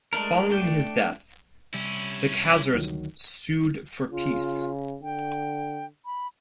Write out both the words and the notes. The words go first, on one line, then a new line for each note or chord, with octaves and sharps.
Following his death the Khazars sued for peace.
G#3 A3 D4 A#4
A3 D4 G5
C3 G3 C#4 E4
D2 D#3 F#3
C#3 F4
D3 G5
B5